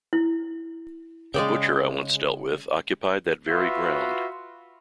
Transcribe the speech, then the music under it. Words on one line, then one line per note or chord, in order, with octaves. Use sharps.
A butcher I once dealt with occupied that very ground.
E4
C#3 G#3 D5 G5
F4 F#4 B4 E5